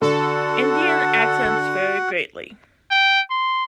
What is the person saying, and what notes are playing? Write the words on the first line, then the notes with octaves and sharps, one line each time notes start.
Indian accents vary greatly.
D3 F#4 A4 F#5
G5
C6